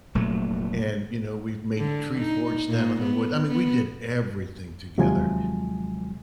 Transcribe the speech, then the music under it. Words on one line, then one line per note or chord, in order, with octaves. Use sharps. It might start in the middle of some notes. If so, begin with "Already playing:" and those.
and, you know, we've made tree forts down in the wood I mean, we did everything together,
F1 A#2 F#3 A3
D3
D#4
A#2
B3
B3
D#2 C3 F3 F#3 G#3 G#5